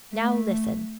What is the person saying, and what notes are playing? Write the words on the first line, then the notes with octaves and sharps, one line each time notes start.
Now, listen.
A3